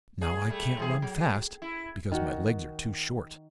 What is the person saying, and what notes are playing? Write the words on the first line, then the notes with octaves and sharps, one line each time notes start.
Now I can't run fast, because my legs are too short.
G#4
G3 A3
G2 E3 G#4
F#3
E4
D#3 F#4